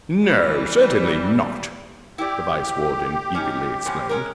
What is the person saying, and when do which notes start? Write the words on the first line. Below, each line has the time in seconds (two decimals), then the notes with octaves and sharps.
"No! Certainly not!" the Vice-Warden eagerly explained.
0.22 E3 G3
2.18 E4 G4 D5
3.35 C#4 D#4
3.85 E2 F3 C#4
4.09 G#3 C#4 A#4